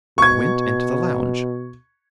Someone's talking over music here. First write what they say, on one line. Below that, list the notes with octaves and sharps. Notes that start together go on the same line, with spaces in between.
I went into the lounge.
B2 C#6 G#6